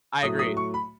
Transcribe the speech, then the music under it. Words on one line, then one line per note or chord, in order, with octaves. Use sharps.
I agree,
A2 F#3 A3 D#6
D#6
C#6
B5